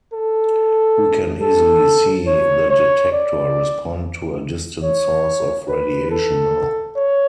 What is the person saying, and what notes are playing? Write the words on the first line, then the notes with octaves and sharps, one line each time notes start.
We can easily see the detector respond to a distant source of radiation now.
A4
A4
C#5
C#5
D5
C#5
B4
A4
C#5